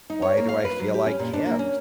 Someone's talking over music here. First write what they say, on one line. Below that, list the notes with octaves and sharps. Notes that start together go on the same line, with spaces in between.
"Why do I feel I can't
D#4
C#5
A#3
F5
B4
F#3
G4
C#4
A#2
D4
A#3
C#4